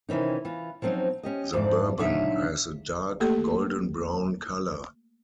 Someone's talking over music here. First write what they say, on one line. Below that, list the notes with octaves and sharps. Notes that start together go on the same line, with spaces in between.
The bourbon has a dark, golden-brown color.
C3 D#3 E3 C#4 D#4
E3 F4
F3 F#3 C4 C#4 D#4
C#4 G4 D#5
F2 G#2 E3 D4 D5
A#2 C#3 F#3 D4 D#4 E5
A3 A#3 G4 A4